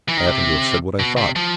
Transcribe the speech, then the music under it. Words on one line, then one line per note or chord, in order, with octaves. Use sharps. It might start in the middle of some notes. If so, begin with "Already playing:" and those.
I happen to have said what I thought.
E3
D#3
C3
B2
C3
F3